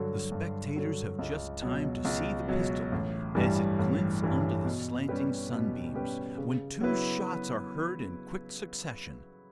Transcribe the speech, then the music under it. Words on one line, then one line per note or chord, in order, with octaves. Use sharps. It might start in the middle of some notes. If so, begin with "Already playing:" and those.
The spectators have just time to see the pistol--as it glints under the slanting sunbeams--when two shots are heard in quick succession.
Already playing: G2 D3 F#3
G2
D3 F#3
C#2
B2 F#3
C#2
B2 F#3
A1
G2 E3 G3
A1
G2 E3 G3
B2
G3 C#4 G4 B4
B2
G3 C#4 G4 B4
C#3
F#3 B3 E4 B4